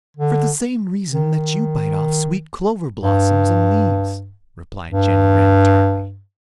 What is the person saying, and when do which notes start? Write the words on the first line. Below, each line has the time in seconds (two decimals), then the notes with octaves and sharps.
"For the same reason that you bite off sweet clover blossoms and leaves," replied Jenny Wren tartly.
0.17 D3
1.11 D#3
3.00 G2
4.89 G2